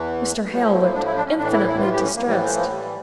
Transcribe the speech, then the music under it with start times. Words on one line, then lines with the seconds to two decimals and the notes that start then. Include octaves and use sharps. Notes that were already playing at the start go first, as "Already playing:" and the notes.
Mr. Hale looked infinitely distressed.
Already playing: E2 E3
0.50 A2 F3 G3
0.61 A3
0.72 A3
0.83 A#3
0.94 D4
1.05 E4
1.16 D4
1.26 C#4
1.38 A2 E3 D4
1.53 E4
1.67 E4
1.82 F4
1.93 G4
2.04 C#4
2.15 A#3
2.25 A2 E3 G3
2.41 F3
2.55 F3
2.70 G3